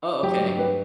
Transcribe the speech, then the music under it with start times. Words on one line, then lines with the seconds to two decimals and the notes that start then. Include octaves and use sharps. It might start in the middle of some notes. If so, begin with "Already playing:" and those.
Oh, okay.
0.23 F#3 G4
0.41 G2
0.59 F#3 B4